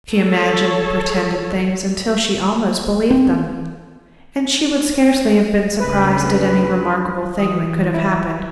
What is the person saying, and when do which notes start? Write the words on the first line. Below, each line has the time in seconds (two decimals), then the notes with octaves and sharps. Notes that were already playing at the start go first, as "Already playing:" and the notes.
She imagined and pretended things until she almost believed them, and she would scarcely have been surprised at any remarkable thing that could have happened.
0.14 A4 C#5
3.11 C4
5.80 D2 C#3 B4
7.39 E3 D#6
7.94 E4